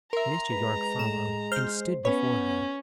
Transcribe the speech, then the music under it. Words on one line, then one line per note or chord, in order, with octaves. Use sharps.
Mr. Yorke followed and stood before her.
A#4 E5 A#5 C6
G#3 B4
A2 E7
C5 F6 G6
B3 C#4 B4 C#5